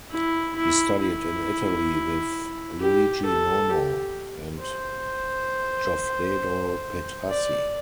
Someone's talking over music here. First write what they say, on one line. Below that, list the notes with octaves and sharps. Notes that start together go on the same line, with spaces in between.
He studied in Italy with Luigi Nono and Goffredo Petrassi.
E4
E4
E4
G4
A4
G4
C5
D5